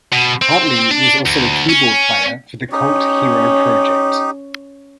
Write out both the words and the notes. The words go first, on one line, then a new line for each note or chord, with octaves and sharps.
Hartley was also a keyboard player for the Cult Hero project.
B2
C4
D4
D2
C#4
C#4 D#4 G4